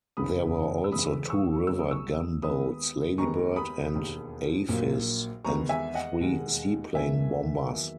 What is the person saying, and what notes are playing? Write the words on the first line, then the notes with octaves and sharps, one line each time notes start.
There were also two river gunboats "Ladybird" and "Aphis", and three seaplane bombers.
F#1 E2 C#3 B5 D#6
E6
E1 E2 C#3 E3 G#3 B5 D#6
C#6 E6
F#2 C#3 F#3 A#3 E6
D#6
C#6 E6
D#2 D#3 G#3 B3 B5 D#6
D#2 D#3 G#3 B3 A#5 C#6
B5 D#6
E1 D#2 D#3 A#3
A#1 A#2 F#3 A#3
E2 D#3 G#3 B3 A#5 C#6
E5 G#5
D#5 F#5
E1 D#2 D#3 G#3
E1 E2 D#3 A#3 E5 G#5
E2 D#3 F#3 A#3